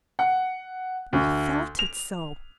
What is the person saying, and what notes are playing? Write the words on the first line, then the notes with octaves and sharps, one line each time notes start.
We felt it so!
F#5
D2
F7